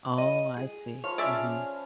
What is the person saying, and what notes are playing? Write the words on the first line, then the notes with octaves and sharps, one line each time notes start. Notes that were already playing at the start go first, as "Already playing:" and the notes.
Oh, I see. Mhm.
D#5
G#4
F3 C#5 F5 B5
C#4 D4 F4 G#4 D5 E5